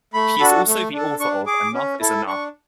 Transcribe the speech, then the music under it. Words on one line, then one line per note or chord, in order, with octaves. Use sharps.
He is also the author of Enough is enough!
A3 B5
D4 F#4 A4
A3
D4 A4
D4 C#6
G#4 D6
C#4
E4 A4
D4 C#6